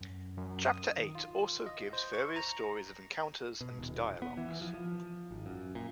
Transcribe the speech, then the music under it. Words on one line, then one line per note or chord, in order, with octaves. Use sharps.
Chapter Eight also gives various stories of encounters and dialogues.
F#2
F#2
D#6
D#3
F4
D#5
C5
C#6
A#5
B2
D#1
B3
E3
F3
F3
G#1
F#2
A#2